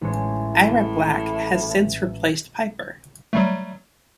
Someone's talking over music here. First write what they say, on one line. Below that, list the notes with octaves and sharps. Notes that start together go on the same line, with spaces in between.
Ira Black has since replaced Piper.
A1 G#3 C#5
A2
F#3 G3 A3